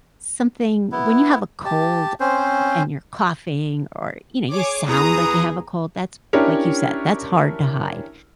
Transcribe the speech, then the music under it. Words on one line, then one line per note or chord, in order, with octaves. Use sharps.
something when you have a cold, uh, and you're coughing, or, you know, you sound like you have a cold, that's like you said, that's hard to hide,
B3 E4
G4 A5
C4 C#4 C5
G#4 C#5 D6
E2 G#4 A#5 D#6
C#4 D4 E4 G4 A#4 C#5